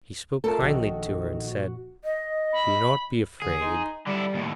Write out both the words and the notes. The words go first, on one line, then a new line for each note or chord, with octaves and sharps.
He spoke kindly to her, and said: 'Do not be afraid.
A3 F4 A4 A#4 A5
A#1 D#3 F#4 A4
D#5
B5
D3 G#4
D#4 C6
D3 G3 E4
D#2 A2